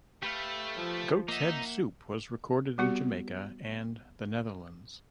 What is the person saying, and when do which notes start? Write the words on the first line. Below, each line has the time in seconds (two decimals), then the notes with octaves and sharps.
"Goats Head Soup" was recorded in Jamaica and the Netherlands.
0.23 A3 G4 B4 F5
0.74 F3
1.28 A#3 D#4 E5 F#5
2.78 G3 B3 F#4 G4